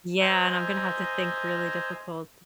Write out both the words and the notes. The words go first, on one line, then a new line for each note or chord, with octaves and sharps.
yeah, and I'm gonna have to think really difficult.
C5 D#5 E5 G#5 A#5